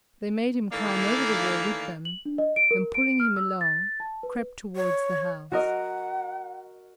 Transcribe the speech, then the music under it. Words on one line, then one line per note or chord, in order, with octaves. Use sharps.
They made him climb over the wall with them, and, pulling him along, crept toward the house.
D#3 E3 A3 A#3 D5 F5
F#7
D4
D#5
D7
A#4
D7
F6
E6
A6
A5
B4
C#5
F#4 A#4 D#5 F#5